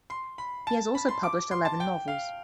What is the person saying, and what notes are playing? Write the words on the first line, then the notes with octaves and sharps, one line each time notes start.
He has also published eleven novels.
C6
B5
A5
B5
C6
D6
C6
A5
G5
F5